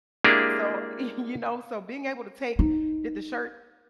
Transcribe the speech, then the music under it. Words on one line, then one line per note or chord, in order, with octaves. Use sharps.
So, y you know, so being able to take did the shirt
G#3 A#3 D4 E4 G4 G#4
D#4